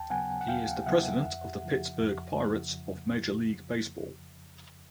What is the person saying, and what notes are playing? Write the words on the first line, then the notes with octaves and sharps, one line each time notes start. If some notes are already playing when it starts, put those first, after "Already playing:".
He is the president of the Pittsburgh Pirates of Major League Baseball.
Already playing: D#2 G5 A5
C#3 F#3 B3 F#5 G#5
F#5
D#2 F5 G5
C#3 F#3 B3 E5 F#5
F2
C#3 F3
F2
C#3 F3